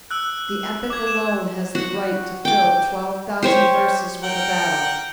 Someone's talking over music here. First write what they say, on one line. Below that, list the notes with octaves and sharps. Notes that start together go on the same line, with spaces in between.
The epic alone has the right to fill twelve thousand verses with a battle.
E6 F#6
D6 G#6
E7
F#4
G5 D6
G4 C5 C#5
A#4 F#5 G5